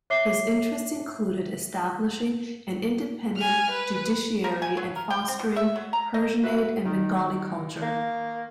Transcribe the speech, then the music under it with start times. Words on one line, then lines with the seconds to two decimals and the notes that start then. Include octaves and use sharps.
His interests included establishing an independent judiciary and fostering Persianate and Bengali culture.
0.10 C#5 E5 D6 C7 G7
3.36 G#5 F6
3.71 B4
4.44 A#4
4.62 G#5
4.77 F#3
4.96 A#4
5.10 G5
5.28 C4
5.39 B2
5.56 E5
5.76 F#3
5.93 A#5
6.14 D#5
6.43 F#4 B4 E5
6.85 D#3
7.82 A#3